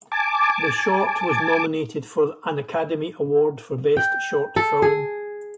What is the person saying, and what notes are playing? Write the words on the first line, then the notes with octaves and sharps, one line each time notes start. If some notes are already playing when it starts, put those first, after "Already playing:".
The short was nominated for an Academy Award for Best Short Film.
G#5 A5 D6
G5
A4
G#4